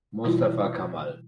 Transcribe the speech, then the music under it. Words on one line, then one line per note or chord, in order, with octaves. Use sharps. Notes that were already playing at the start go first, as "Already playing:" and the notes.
Mostafa Kamal.
B2 E3 G3 E4 F4